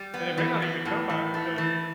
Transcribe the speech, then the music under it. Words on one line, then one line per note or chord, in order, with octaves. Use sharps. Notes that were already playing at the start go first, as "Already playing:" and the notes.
And it may not even come back because
Already playing: G3
B3
E3
B3
A2
E3
A3
E3